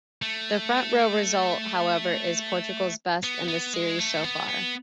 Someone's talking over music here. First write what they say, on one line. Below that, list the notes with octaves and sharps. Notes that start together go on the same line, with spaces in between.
The front-row result, however, is Portugal's best in the series so far.
A3
B3
B3
G#3
A3
B3
B3